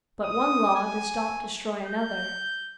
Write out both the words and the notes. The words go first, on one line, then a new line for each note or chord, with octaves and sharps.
But one law does not destroy another.
D#6
G#5
G6